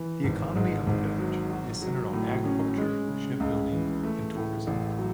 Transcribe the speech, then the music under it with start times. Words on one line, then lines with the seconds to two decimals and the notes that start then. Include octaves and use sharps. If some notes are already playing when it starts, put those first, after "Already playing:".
The economy of the village is centered on agriculture, ship building, and tourism.
Already playing: E3
0.24 G#1
0.55 G#2
0.87 G#1
1.18 F#3
1.50 F#4
1.82 F#3
2.13 A2
2.45 C#4
2.77 G#3
3.08 C#3
3.40 C#2
3.72 E3
4.03 A3
4.35 A2
4.67 A1
4.98 F#3